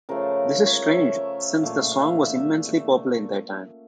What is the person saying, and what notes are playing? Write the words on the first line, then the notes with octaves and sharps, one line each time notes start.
This is strange since the song was immensely popular in their time.
C#3 F3 A3 A#4
C#5
E5
A#2 A3 F5
F5
E5